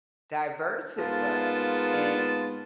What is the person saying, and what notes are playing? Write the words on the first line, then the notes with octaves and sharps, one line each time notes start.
diverse it was, and
G#2 A#3 B3 F4 A5